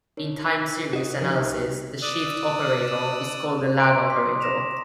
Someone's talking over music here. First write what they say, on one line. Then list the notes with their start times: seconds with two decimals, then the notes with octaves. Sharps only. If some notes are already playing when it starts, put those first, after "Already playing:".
In time series analysis, the shift operator is called the lag operator.
0.17 D#4 A#4 C#5
0.93 F#4 D#5
1.21 D3 F3 D#4 G4 A#4
1.37 C2
2.02 D5 D#6 E6 F#6
3.77 A#5 C6 C#6 D7
4.09 A#5 C6 D6 D#6 B6
4.41 A#6 E7 F7
4.60 C#6